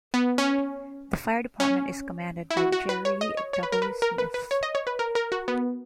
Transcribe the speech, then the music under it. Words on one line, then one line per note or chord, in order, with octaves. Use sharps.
The fire department is commanded by Jerry W. Smith.
B3
C#4
C#4
E4
F#4
F#4
B4
C#5
D#5
C#5
C#5
B4
A#4
B4
A#4
B4
B4
C#5
D#5
C#5
B4
A#4
A#4
F#4
B3